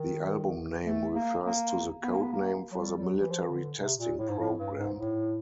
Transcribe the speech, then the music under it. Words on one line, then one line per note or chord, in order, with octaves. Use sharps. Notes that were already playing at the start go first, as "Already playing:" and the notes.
The album name refers to the code name for the military testing program.
Already playing: D#3
A3
A#3
A#3
B3
A#3
B3
A#3
F#3
G3
G3
F#3
E3
F3
E3
D3
C3
A#2
A2
G#2
A2
G2
G#2
A2